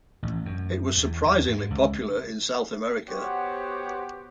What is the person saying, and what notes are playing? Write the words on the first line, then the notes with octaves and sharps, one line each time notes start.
It was surprisingly popular in South America.
A1
F#2
E2
E2
G#2
C#2
B3 F#4 G4 C5 C#5 F#5